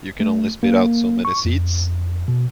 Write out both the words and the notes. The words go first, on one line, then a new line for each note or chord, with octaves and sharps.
You can only spit out so many seeds.
A3
A#3
C#6
F2
B2